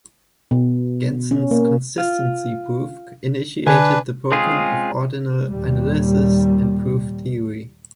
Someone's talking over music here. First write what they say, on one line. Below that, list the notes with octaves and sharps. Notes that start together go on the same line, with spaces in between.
Gentzen's consistency proof initiated the program of ordinal analysis in proof theory.
B2
C#4
A#3
F4
D3 D4 B4 G#5
G#3 C4 C#4 F4 G#4
D#2 A#2 G3